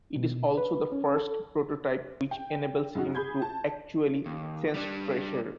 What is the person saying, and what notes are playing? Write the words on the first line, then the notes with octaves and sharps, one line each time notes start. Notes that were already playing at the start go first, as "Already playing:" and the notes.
It is also the first prototype which enables him to actually sense pressure.
B2
B4
C#4
A4
G5
F#2 C#3 D#4 F#4
G#4 B5 G6 G#6
A5
D#2
G3 D4